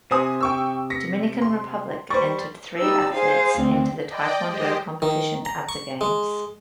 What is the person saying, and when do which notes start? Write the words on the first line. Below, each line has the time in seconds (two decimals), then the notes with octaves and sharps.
Dominican Republic entered three athletes into the taekwondo competition at the Games.
0.11 C3 C5 G#5 D#6
0.41 G5 C#6 E6
0.90 A#6 B6 C#7
1.42 C6
2.10 G3 C5 C#6
2.77 G3 D#4 E6
3.12 G#4 C5 F5
3.58 D2 C4
4.08 D5 D#5 G5
4.48 G#3 G4 C5 D#5
5.02 D#3
5.45 A#5
5.69 C#6
6.01 G#3